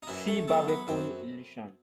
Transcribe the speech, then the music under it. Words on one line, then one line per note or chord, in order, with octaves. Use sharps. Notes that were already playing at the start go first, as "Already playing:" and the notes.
See Barberpole illusion.
D#4
F#2 E3 E4
A3 A4
F#3 A3 B3 A4
B3 B4
F#2 C4 C5